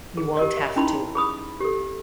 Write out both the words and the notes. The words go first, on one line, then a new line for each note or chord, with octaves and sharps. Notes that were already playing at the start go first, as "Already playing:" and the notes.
You won't have to.
G#4
G4 A#4 D#5
E5
C#4 D#4 E4 B5 C6
G#4 B5 D#6
G4 A4